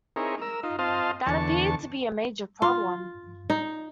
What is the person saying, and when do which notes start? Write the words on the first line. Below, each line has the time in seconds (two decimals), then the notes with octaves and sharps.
That appeared to be a major problem.
0.16 C4 D#4 E4 G#4 A#4 C#5
0.42 A#4 E6
0.64 D#4 F4
0.79 C4 F4 C5 D#5 F5 A5
1.26 E2 D3 A5 C#6
2.62 F4
3.50 D#4